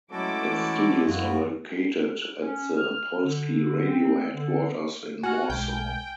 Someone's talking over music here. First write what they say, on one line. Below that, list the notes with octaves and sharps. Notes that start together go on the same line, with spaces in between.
Its studios are located at the Polskie Radio headquarters in Warsaw.
F#3 G#3 A3 C#4 E4 F#4 A4 D6
E3
F#2 B3 F4 F#4
C#4
F6
D3
C4
D3
F#4 G#5 F6
B1 G#3 G5